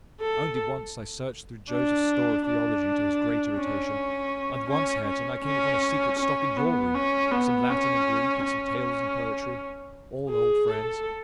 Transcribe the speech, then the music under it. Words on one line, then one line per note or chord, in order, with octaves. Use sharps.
Only once, I searched through Joseph's store of theology, to his great irritation; and once, Hareton, I came upon a secret stock in your room--some Latin and Greek, and some tales and poetry: all old friends.
A4
D4
D4
C#4
C#4
C#4
C#4
C#4
B3
C#4
B3
C#4
C#4
G#4
A4